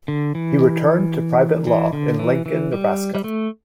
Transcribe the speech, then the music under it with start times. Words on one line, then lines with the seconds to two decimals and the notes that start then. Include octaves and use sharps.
He returned to private law in Lincoln, Nebraska.
0.08 D3
0.35 E3
1.67 E3
1.93 D3
2.19 E3
2.46 E3
2.72 G3
3.15 G3
3.24 A3